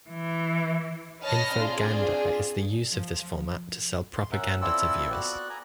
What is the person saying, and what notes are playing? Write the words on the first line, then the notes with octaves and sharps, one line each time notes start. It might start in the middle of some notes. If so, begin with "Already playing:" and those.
Infoganda is the use of this format to sell propaganda to the viewers.
E3
B4 C#5 D#5 A5 F6 A#6
C4 D4 F4 G#4
F3
C6
C#4 A#4 E5 F#5
C4 E4 F4 A4 D5 E6
B3 F#4 D5 F#6
G#5 A#5